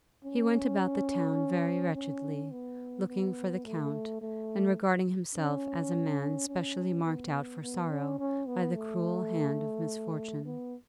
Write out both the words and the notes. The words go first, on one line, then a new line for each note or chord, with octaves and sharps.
He went about the town very wretchedly, looking for the Count, and regarding himself as a man specially marked out for sorrow by the cruel hand of misfortune.
C#4
C#4
B3
B3
A3
A3
C#4
C#4
B3
B3
C#4
C#4
B3
A3
B3